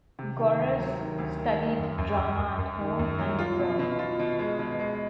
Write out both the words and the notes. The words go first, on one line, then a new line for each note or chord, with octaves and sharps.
Gorris studied drama at home and abroad.
C3
D#3
D2
F#3
D#3
D2
D#3
D#3
F#2
F#2
F#2
F#2
F#2
D#3
F#2
F#3
F4
B2
B2
F4
B2
G#3
B2
G#3